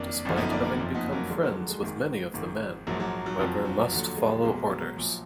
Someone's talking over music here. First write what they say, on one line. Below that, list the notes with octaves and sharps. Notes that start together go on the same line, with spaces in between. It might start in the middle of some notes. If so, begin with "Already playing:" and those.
Despite having become friends with many of the men, Weber must follow orders.
Already playing: F#1 F2 D#3 A#3 D4
G#1 F#2 D3 F3
B3 D#4
A#3 D4
A#3 D4
F#1 F2 F3
B3 D#4
B3
F#3 A#3
D#2 D3 F3 G#3
F#3 A#3
F#3
G#3
G#1 G#2 D#3
G#1 G#2 D#3
A#1 G#2 F3 F#3 A#3
F#3 A#3
F#3
F1 F2 F3 F#3
F#3
D#2 D3 F3 F#3
G#3
B1 B2 G#3
F#3
A#1 A#2 F3